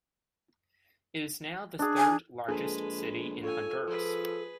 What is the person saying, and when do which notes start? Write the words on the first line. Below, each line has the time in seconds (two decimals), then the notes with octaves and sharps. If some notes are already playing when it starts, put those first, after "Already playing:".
It is now the third-largest city in Honduras.
1.79 D4 G#4
1.98 G#5
2.48 A#1 G#3 G#4 A4 B4
3.43 F4 A4 C#5 G#5
3.87 F3 G#4 B4